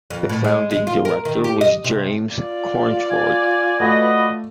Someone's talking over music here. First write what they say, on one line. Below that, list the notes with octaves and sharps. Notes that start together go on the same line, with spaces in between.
The founding director was James Cornford.
F2
A2
G#3
G#3
F4
A#4
D#3
G4
D#5
C3
F4 D5
G#5
A3 F#4 B4 D#5